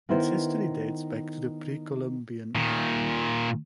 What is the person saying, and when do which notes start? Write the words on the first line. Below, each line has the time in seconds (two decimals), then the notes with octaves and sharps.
Its history dates back to the pre-Columbian era.
0.09 D#3 B3 E4 C5
2.55 A#2 D#3